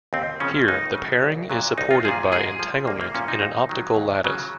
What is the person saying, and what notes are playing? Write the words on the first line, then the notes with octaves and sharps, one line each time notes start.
Here, the pairing is supported by entanglement in an optical lattice.
D#2 C4
C#3 F3 C#4
C#2 D#4
C#3 F#3
C2
A#2 F#3
C2 D#4
F4
A#2 F3 G#4
G#2 G#4
F3
C2 A#3
A#3
A#2 F3 C#4
D#4
D#2
D#3 F#3
D#2
C#3 F#3